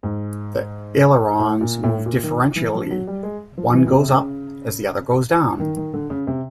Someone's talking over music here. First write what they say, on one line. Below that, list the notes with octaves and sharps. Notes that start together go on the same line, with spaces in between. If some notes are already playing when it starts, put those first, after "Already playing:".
The ailerons move differentially - one goes up as the other goes down.
G#2
A2
A#2
A2
A#2
D#3
E3
F3
F#3
G3
G#3
F3
E3
B2
C3
C#3
D#3
D#3
D3
C#3
C3